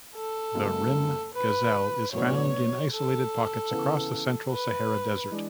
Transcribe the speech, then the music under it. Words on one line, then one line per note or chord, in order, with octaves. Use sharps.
The rhim gazelle is found in isolated pockets across the central Sahara Desert.
A4
F#1 F#2 C#3 G#3
B4
B1 A2 F#3 B3 D4 C#5
A4
C#3 E3 B3
B4
E3 G#3 D4